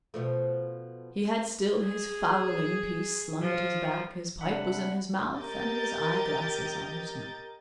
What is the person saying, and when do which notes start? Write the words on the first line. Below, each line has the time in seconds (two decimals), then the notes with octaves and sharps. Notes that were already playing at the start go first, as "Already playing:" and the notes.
He had still his fowling-piece slung at his back, his pipe was in his mouth, and his eye-glasses on his nose.
0.14 B2 F3 A3
1.80 G#4
3.41 F3
4.41 C3 G3 D4 F#5 B5
5.38 G4 A#4 D#5 G6 A6